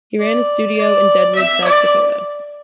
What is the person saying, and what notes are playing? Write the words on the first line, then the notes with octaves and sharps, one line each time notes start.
He ran a studio in Deadwood, South Dakota.
D5
D5
E5
D5